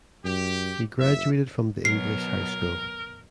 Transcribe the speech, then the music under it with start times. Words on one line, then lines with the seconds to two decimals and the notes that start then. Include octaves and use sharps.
He graduated from The English High School.
0.25 F#2 G4
1.00 F#1 E5
1.85 B2 F#3 A#4 C7